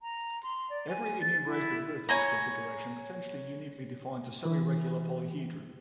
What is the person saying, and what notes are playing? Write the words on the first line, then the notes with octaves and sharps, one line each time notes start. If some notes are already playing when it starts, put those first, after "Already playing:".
Every enumerated vertex configuration potentially uniquely defines a semiregular polyhedron.
A#5
C6
D5
G#5
A6
E4
C#5 G#5 A#5
E3